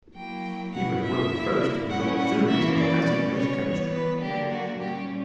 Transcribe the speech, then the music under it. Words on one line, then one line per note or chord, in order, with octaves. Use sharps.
He was one of the first to develop theories on acid-base chemistry.
F#3 A#3 E4 G5
B2 F#3 C#4 E4 F#5
E5
D3 A#3 E4
A#2 G3 C#4 E4 F#5
F#5
E3 A#3 C#4 E4 E5
D5
B2 G3 C#4
C#5
E3 G3 B3
B4
D3 F#3 A#3 D4 G4
F#4
A#2 G3 C#4 G4